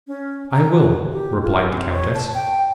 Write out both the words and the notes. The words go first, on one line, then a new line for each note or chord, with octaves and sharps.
"I will," replied the countess.
C#4
A#5
F#4
G4
F4
C4
C#5
A5
G5